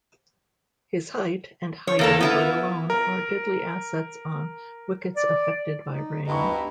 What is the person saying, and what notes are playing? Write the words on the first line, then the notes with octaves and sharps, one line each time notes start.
His height and high delivery alone are deadly assets on wickets affected by rain.
C#5
E2 A#3 A4
B3 E4 F4
A#4
D5
D#4
D2 G2 B3 E4 D#5 A#5 B5 C#6